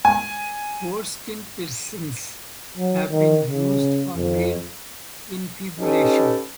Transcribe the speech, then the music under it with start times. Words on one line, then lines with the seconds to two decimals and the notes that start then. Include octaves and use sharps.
Foreskin piercings have been used for male infibulation.
0.05 G#5
2.77 F#3
3.10 D#3
3.47 C#3
4.16 F2
5.79 C#4 D#4 G4 A4 B4